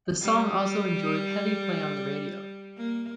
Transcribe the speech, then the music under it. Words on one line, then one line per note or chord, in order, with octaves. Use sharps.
The song also enjoyed heavy play on the radio.
G3
A#3